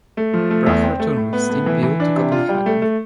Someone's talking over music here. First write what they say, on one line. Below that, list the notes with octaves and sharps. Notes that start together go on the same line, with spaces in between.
Brahe returned with Steen Bille to Copenhagen.
A3
F3
A3
E2
C4
A3
A2
B3
A2
E3
E3
D4
C3
F4
G3
A3
A3